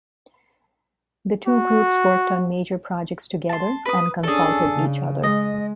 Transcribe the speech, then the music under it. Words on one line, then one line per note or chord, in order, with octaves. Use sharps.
The two groups worked on major projects together and consulted each other.
F#4
A5 C6
B4 D#6
C#4 D4 G#4 A4
C#3
G#3 D#5